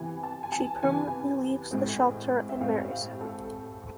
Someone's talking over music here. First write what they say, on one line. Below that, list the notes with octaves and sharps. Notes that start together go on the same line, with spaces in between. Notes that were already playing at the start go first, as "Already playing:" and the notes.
She permanently leaves the shelter and marries him.
Already playing: C3 E3 B3 G#5
A5
G#5
A5
C3 E3 B3 G#5
A2 G#3 C4
E5
A2 G#3 C4 F5
F5
A4